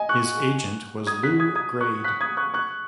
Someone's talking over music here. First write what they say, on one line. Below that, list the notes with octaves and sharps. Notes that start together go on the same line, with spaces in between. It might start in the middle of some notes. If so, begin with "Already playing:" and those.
His agent was Lew Grade.
Already playing: D#5 G#5
C#6 F#6
D#6 G#6
F#6 B6
D#6 G#6
D#6 G#6
C#6 F#6
F#6 B6
D#6 G#6
C#6 F#6
C#6 F#6